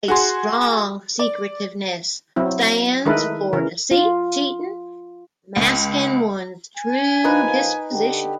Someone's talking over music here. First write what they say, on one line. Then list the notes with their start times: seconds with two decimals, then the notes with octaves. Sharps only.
A strong Secretiveness stands for deceit, cheating, masking one's true disposition.
0.08 F#4 G#4 C6
1.19 D5
2.36 F#3 C4 E4
3.05 D#3 G#3 A3 E4 A#4 B4
3.53 C#3 E3 A#4
3.91 F4
5.56 C#2
6.77 G#5
7.24 A#1 F3 D#4 B4
7.92 D3 G4